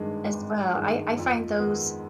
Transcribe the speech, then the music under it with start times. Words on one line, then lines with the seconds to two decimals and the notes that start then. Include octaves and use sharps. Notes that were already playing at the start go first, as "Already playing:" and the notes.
As well, I I find those
Already playing: G#1 G2 D#3 G#3
0.33 G#1
0.75 G2 D#3 G#3
1.18 F2
1.59 D#3 G#3 B3 D#4